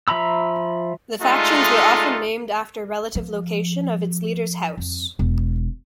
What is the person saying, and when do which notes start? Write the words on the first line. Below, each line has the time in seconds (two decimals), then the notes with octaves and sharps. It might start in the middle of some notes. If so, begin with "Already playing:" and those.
The factions were often named after relative location of its leader's house.
0.08 F3 E5 A#5 B5 E6
1.22 G#3 A3 D4 D#4 F4 A4
3.15 F3
4.77 F2
5.19 E1